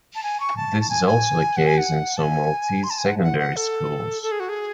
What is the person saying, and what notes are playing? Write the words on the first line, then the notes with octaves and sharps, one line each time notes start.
This is also the case in some Maltese secondary schools.
A5
G#5
C#6
A5
A5
G#5
G#5
F#5
G#5
F#5
A5
G#5
C6
A5
G#5
F#5
F#5
F#5
A4
A4
G#4
F#4
G#4